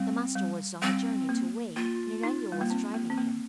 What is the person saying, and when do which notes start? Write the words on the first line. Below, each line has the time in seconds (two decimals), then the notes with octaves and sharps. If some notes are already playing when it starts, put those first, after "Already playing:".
The Master was on a journey to Wei, and Yen Yu was driving him.
Already playing: G3 C4
0.35 G3
0.82 G3 C4
1.29 A#3
1.76 A#3 F4
2.24 D#4
2.52 G3
2.61 A#3
2.70 C4
2.94 A#3
3.10 C4
3.18 A#3